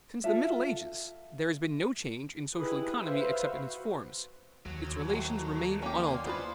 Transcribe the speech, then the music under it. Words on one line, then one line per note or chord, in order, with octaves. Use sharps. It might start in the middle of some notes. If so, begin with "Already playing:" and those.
Since the middle ages, there has been no change in social economy except in its forms; its relations remain unaltered.
F4 A4 E5
D#4 E4 G4 G#4 B4
B4 C5 E5 F5
F#4
D#2 F#3
A3 C5 F#5 A#5
A#3 C#4 G4
D5 F5 G#5 C6
B3 F4 B4 C5